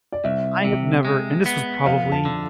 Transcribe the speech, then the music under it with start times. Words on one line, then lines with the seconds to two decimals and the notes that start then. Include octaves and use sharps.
I have never, and this was probably
0.12 D5
0.24 C2 E5
0.64 C3
1.05 G#3
1.46 B3
1.86 F2 F5
2.12 A5
2.25 D3